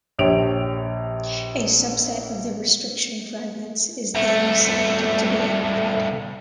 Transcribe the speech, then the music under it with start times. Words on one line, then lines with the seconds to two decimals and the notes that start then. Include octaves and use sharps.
A subset of the restriction fragments is then selected to be amplified.
0.19 A#1 G4 C#5 D7 F7
4.15 C2 A3